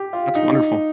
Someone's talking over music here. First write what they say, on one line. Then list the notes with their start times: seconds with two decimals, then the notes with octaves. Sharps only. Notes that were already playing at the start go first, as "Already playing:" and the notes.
That's wonderful.
Already playing: G4
0.13 F4
0.35 D#4